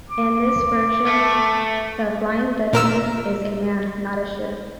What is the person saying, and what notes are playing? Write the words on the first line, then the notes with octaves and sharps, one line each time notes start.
In this version, the Flying Dutchman is a man, not a ship.
D6
A3
A#2 A#4 E6